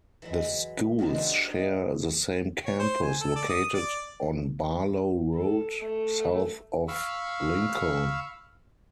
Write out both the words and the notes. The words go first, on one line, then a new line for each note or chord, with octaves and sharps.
The schools share the same campus, located on Barlow Road, south of Lincoln.
E3 F#3 G#3 E4
E2 A#2 F#3 G#3 G4
D4 F4 B4 C5 D5 E5
B3 D#4
C#5
C5
G#5
A4
D5
D#6
D5
A4
A3
F5 B5 C#6 E6 F6